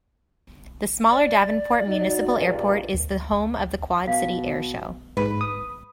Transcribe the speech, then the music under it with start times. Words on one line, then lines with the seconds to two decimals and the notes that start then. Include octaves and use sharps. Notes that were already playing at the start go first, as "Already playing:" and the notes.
The smaller Davenport Municipal Airport is the home of the Quad City Air Show.
1.11 D5
1.87 D#4 F#4
2.33 C#2 G2 A#2
2.94 D2
4.07 B2 F5
5.17 G#2 B4
5.41 D#6